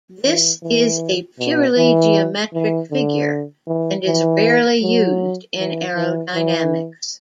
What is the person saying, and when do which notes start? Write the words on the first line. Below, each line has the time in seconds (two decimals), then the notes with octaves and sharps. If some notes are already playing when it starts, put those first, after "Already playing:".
This is a purely geometric figure and is rarely used in aerodynamics.
0.25 E3
0.62 E3
1.39 B2
1.77 E3
2.54 E3
2.92 D3
3.67 E3
4.06 E3
4.82 F#3
5.59 E3
5.96 E3
6.35 E3